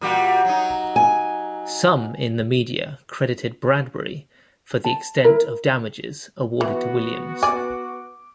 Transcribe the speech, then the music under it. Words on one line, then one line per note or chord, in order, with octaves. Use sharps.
Some in the media credited Bradbury for the extent of damages awarded to Williams.
A#2 G3 F#4
F#3 D#4
G#5
A5
E4 A#4 A#5
E3 B3 F#4
D5 G#5 D6